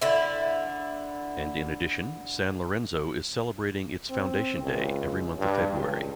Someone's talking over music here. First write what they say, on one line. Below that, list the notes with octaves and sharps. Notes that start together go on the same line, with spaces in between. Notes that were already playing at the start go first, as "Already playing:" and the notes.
And in addition, San Lorenzo is celebrating its Foundation Day every month of February.
D3 E4
C4
C#2
G2
C#2